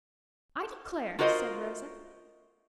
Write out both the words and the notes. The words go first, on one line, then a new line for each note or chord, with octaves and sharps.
"I declare!" said Rosa.
F4 F#4 A#4 C5 D#5